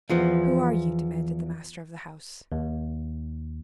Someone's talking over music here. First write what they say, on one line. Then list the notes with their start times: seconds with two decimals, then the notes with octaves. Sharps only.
"Who are you?" demanded the master of the house.
0.09 E2 F3 B3
2.52 D#2